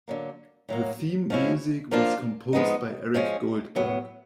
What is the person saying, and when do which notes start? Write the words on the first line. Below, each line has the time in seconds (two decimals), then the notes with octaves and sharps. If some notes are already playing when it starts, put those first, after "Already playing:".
The theme music was composed by Eric Goldberg.
0.08 D3 F#3 A#3
0.69 A2 F#3 A#3
1.30 F3 G#3 C#4 E4
1.91 F3 A#3 D4 F4
2.53 F3 G#3 B3 D#4
3.14 F3 G#3 C#4
3.75 A2 F#3 B3